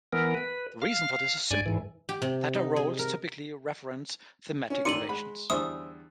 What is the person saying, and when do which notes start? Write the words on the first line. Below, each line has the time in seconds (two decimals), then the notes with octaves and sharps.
The reason for this is simple: theta roles typically reference thematic relations.
0.13 E3 B3 A#4
0.34 B4
0.82 F5 F6
1.13 F5
1.51 G2 D5 G#5
1.66 G#2 E3
2.09 G4
2.22 C3
2.54 D#4
2.76 G#4
2.99 A#4
4.70 C#4
4.85 G#1 D#3 D5 C6 E6 C#7 D#7 F#7
5.09 G#3 F#5 B5
5.50 E2 D3 G3 C#4 C5 E5 D#6